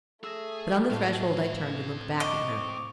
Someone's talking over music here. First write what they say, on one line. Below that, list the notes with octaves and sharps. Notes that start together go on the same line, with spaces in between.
But on the threshold I turned and looked back at her.
A3 G#4 E6 A#6
A2 C4 F5
D#5 C#6 D6